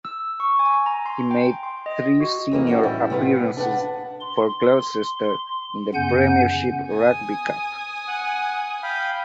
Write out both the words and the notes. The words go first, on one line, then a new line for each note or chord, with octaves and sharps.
He made three senior appearances for Gloucester in the Premiership Rugby Cup.
E6
C#6
G#5
A#5
C6
G5
C6
D#5
F#4
F2 E3 A#3 D#5
C#4 F#4 D5
E2 A2 G3 E4
C3 B3 F4 B4
D4 B4 F5 F#5
C6
F#2 C#3 B3 F#5 G#5 G6
G#5 D#6
F#5
F5 G5 B5